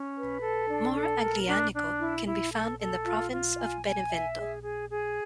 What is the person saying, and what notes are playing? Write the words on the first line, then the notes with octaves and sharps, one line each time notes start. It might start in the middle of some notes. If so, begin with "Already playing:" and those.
More Aglianico can be found in the province of Benevento.
Already playing: C#4
B4
A4
D4
A4
A#4
D4
D4
E4
E4
A4
A4
F4
F4
G#5
G#5
E5
G#4
G#4
G#4